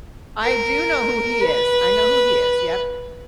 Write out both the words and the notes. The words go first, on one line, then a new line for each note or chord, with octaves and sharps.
I do know who he is, I know who he is, yep.
A#4
B4